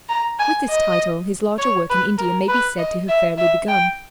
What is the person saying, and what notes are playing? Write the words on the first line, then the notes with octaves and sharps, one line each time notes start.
With this title his larger work in India may be said to have fairly begun.
A#5
G#5
D#5
C#5
B4
A#4
B4
D#5
E5
E5
G5